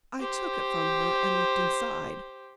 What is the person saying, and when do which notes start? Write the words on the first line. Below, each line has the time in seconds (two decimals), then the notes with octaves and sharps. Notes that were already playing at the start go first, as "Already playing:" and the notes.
I took it from her and looked inside.
0.20 G4 C5